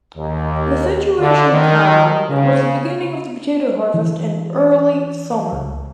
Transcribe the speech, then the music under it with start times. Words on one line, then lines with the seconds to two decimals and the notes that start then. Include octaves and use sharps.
The situation calmed with the beginning of the potato harvest in early summer.
0.17 D#2
1.19 D3
1.51 D#3
2.29 C#3
3.94 E3
5.52 C#2